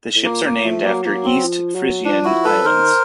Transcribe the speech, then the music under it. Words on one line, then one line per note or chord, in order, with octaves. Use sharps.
The ships are named after East Frisian Islands.
A2
A#2 A#3
A#3
F3 A3
F#3 A#3
F3 A#3
F#3
C4
F3
F#3
F3 D4
E4 F#4
A4 B4
D#3 A#4 C5